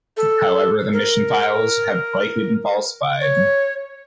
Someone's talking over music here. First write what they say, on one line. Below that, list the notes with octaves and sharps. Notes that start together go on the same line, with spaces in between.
However, the mission files have likely been falsified.
A4
A#4
C#5